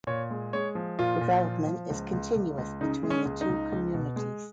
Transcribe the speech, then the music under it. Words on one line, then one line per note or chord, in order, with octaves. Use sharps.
Development is continuous between the two communities.
A#2 C#5
G#3
G#3 C#5
F3
A#2 F4
A#2
F3
F3
C#2
C#2
C#2
C#2
C#3 D#4
G#3
C#4
C#2
D#4
C#2
C#2
B2
G#3